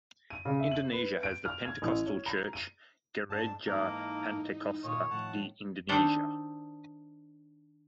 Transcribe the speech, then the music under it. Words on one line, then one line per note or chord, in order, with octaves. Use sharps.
Indonesia has the pentecostal church Gereja Pantekosta di Indonesia.
D#7
C#3
E5
F#7
B4
D7
F6
G#6
A1
C#5
A#5
D#7
G#2 D4 A5
G#2 E3 A#3 D#4 A4 A#4
A#2 D#3 F4 C#5 D#5
A2 D#3 F3 F#5 A5
D#3 D4 D#4 C5 E5